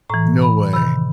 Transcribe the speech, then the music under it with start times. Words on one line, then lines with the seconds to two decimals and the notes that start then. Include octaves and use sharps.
No way.
0.09 A2 E3 A#5
0.42 B5
0.73 C3 D#3 B5